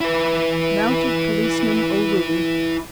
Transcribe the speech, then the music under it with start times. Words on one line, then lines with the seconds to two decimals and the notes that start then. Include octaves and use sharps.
Mounted Policeman O'Roon.
0.01 E4 B4